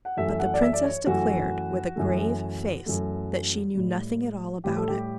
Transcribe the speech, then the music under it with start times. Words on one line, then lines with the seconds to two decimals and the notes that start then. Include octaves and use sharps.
But the princess declared, with a grave face, that she knew nothing at all about it.
0.05 F#5
0.17 F#2 E3 A3 E5
0.29 E5
0.39 F#5
0.54 D5
0.62 E5
0.73 D5
0.84 C#5
1.06 F#2 E3 A3 F#4
1.96 F#2 E3 A3
2.86 F#2 E3 A3
3.75 A2 G3
4.64 A2 G3 G4
4.76 A4
4.88 G4